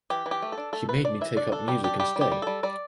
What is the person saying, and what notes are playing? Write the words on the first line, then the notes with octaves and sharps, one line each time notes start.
He made me take up music instead.
E3 G4
E3
G4
A3
A4
D4
A3 A4
A3 B4
D4 D5
E3 E5
D4 D5
D4 A4
G3 G4
D4 G4
G3 G4
G3
G4
G3
G3 A4
G3 D5